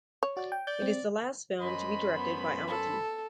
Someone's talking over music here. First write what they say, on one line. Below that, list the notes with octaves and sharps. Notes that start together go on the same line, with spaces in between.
It is the last film to be directed by Amateau.
C#5
F#4 D5
G5
D5 G6
C4
F#2 C5 D#5 B5
B3
A4